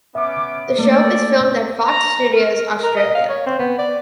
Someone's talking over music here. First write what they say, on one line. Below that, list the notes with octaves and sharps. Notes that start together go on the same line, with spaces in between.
The show is filmed at Fox Studios Australia.
B3 C#4 E5 D6
A3 A#3 A4 D5
A#5
A#4
A#4
D#5
F5
C#5
C4
B3
D5